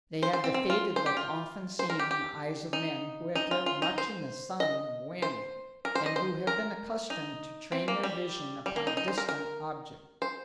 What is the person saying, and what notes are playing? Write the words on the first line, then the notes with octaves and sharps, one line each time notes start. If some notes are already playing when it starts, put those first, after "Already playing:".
They had the faded look often seen in the eyes of men who have lived much in the sun and wind and who have been accustomed to train their vision upon distant objects.
C5
C5
C4
C4
F4
C5
G4
F4
C5
A#4
G4
G4
D#4
D#4
F4
F4
D#4
C5
D#5
C5
A#4
C5
D#5
C5
A#4
D#4
C4
A#3
G3
G3
A#3
D#4
D#4
C5
A#4
A#4
C5